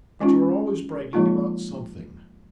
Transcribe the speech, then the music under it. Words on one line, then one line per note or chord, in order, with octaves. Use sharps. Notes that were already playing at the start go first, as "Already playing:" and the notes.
'But you're always bragging about something.
G#3 C#4 D#4 F4
F3 G#3 A#3 D#4 F4